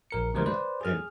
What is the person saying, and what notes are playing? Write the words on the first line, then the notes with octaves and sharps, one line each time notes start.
And and
A#1 A#4 C#7
C#3 G3 G#3 A#4 C5
B4 C5 D5
G#4 F6